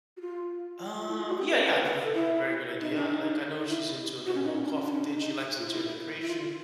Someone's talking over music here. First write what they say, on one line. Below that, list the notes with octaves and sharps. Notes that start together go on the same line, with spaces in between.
Uh, yeah, yeah, I have a v v very good idea. Like, I know she's into, again, the whole coffee thing, she likes interior decoration,
F#4
F4
F4
E4
F4
F#4
G4
B4
C5
B4
A4
E4
D#4
D4
D#4
D#4
E4
F#4
C#4
D#4
C#4
D4
C#4
D4
C#4
D4
D#4
F4
E4
E4
F4
F4